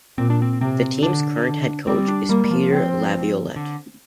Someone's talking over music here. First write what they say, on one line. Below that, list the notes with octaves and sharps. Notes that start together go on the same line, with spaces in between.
The team's current head coach is Peter Laviolette.
A#2 C4
D4
C4
C3 C4
D3 D4
D3
G3 C4
D4
G3 A#3
G3
F3
C4
D3